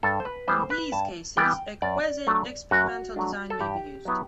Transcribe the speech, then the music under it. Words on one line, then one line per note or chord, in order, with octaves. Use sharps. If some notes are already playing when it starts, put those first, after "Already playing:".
In these cases, a quasi-experimental design may be used.
G2 A4
C5
B4
E3 G3 B3 E4 C5
B4
G2 A5
E3 G3 B3 E4 G5
F#2 D5
F#3 A3 D4
F#2 F#4
F#3 A3 D4
A4
G2 G4
F#3 B3 E4